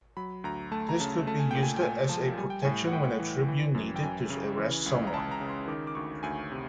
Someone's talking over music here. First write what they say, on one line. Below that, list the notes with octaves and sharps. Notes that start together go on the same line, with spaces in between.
This could be used as a protection when a tribune needed to arrest someone.
F#3 B5
D2 A#5
A3 A5
A#5
C#3 A5
A3 A5
G#5
A#2 G5
G#5
G5
A#2 G#5
F3 A5
G3 G#5
G5
A2 G#5
F#5
A2 G5
E3
E3
F#2
G5
F#2 G#5
C#3
E3
C#2
A#5
C#2 A5
A#5
C#3
C6
D#3 D6
D6
D2 C#6
D2 G#5
C3